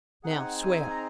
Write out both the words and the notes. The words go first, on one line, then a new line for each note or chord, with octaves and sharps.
Now swear.'
C4 D#4 G#4 F#5
G#5
A#5